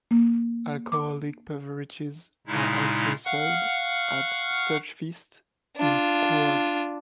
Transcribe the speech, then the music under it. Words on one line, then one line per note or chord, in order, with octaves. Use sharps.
Alcoholic beverages are also served at such feasts in Coorg.
A#3
D6
A#2 C#3 G#3 D#4 E4
F5 F#5 C#6 F6 F#6
D4 F4